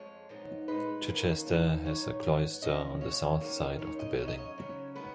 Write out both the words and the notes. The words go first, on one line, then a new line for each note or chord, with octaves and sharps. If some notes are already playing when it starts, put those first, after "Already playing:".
Chichester has a cloister on the south side of the building.
Already playing: F2 F3 G#3 C#5
G#2 F3 B3 D#4
A#2 G#3 D#4 B4
D#2 D#3 F#3 A#3 C#4
G#2 F3 B3 D#4
D#2 C#3 F#3 B3 D#4 C#5
G#2 F#3 B3
C#3 F3 A#3 C#4 D#5
F2 C#3 F#3 A#3 C#5
G#2 D#3 A#3 C#4
C#3 G#3 D#4 C#5
D#5
C#3 F#3 C#4 C#5
D#5
C#5
C#3 F#3 C#4
D#3 G#3 B3 B4